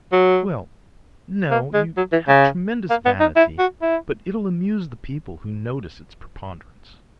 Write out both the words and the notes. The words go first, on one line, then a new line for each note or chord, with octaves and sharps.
"Well--no, you have tremendous vanity, but it'll amuse the people who notice its preponderance."
F#3
A#3
G#3
F#3
E3
C#3
A#3
B3
D#4
E4
F#4
E4